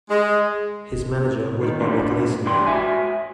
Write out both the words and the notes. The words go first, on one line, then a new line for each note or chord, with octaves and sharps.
His manager was Bobby Gleason.
G#3
D#3 D#4
C3 G3 A3 D4
D2 D3 E3 G4 D5 C6
G#3 F#4 E5 G#5